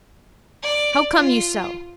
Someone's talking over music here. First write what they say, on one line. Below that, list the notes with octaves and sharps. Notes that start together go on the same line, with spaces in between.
How come you so?
D5
F4